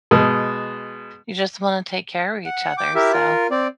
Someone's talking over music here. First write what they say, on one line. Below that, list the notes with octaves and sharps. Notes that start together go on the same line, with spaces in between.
you just wanna take care of each other, so
B2 G#3
F#5
G5 D6
E4 G4 A#4 E5
F4 A#4
C4 D5